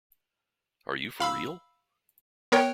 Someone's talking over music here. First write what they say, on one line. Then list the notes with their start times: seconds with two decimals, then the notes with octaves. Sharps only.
Are You for Real?
1.20 F5 B5 E6
2.52 B3 A#4 C#5 G5